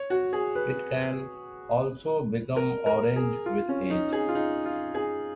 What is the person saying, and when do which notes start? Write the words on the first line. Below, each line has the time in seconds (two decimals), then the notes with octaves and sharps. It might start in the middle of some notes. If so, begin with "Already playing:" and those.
It can also become orange with age.
Already playing: C#5
0.10 F#4
0.33 G#4
0.55 B4
2.56 A#4
2.86 A#4
3.16 G#4
3.46 F4
3.69 C#4
3.90 D#4
4.12 G#4
4.28 F4
4.35 D#4
4.65 F4
4.95 G#4